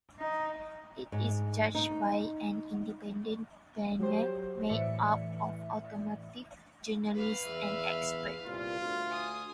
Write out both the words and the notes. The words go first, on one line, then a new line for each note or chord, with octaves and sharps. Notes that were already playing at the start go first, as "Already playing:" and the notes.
It is judged by an independent panel made up of automotive journalists and experts.
D#4
G#2
D#4
F#3 G4 C5
A2 E3 D5 E5 C#7
B4 F5
E2 E5
C2 A#2 F4
D2
G#5 D#6